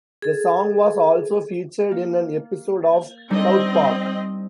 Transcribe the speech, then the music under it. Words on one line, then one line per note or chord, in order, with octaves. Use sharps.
The song was also featured in an episode of "South Park".
G#4 A4
A#3
G3 C4 D4 D#4 D#5